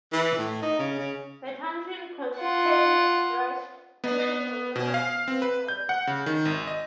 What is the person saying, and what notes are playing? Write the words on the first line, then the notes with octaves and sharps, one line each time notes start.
The township contains Dretsch Family Memorial Cemetery.
E3
A2
D#4
C#3
C#3
F4 F#5
B3
B2
F5
C4
B4
G6
F#5
C#3
D#3
G#1
D#5